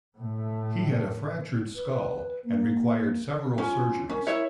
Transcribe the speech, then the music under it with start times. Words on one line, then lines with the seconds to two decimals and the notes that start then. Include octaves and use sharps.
He had a fractured skull and required several surgeries.
0.18 A2 A3
1.75 B4
2.45 A#3
3.58 C#4 F4
4.09 C#4 A#4
4.27 E4 C#5 E5